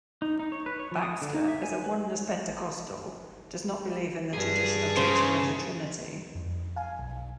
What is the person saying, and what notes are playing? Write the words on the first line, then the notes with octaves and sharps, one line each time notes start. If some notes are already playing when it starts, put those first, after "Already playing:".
Baxter, as a Oneness Pentecostal, does not believe in the traditional teaching of theTrinity.
D#4
D#4
C#5
B4
C#5
F3
D#6
D3
D#4
E5
G#5
B4
G2 G#4
C#3 C5
F2
F5 G#5
B1